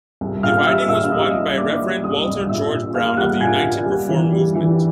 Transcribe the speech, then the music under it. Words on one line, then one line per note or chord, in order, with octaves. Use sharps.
The riding was won by Reverend Walter George Brown of the United Reform Movement.
C2
A#2 F5 F6
G3 E5 E6
A#2 E5 E6
G3 D#5 D#6
C2
A#3 D5 D6
G3
C2 D#5 D#6
C2
A#2 E5 E6
A#2
A#3 F5 F6
G3 F#5 F#6
A#2 G#5 G#6
A#2
G3
E3
G3
E3